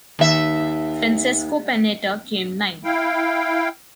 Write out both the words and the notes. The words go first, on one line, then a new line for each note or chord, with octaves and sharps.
Francesco Panetta came ninth.
D#2 E5
E4 F5 G5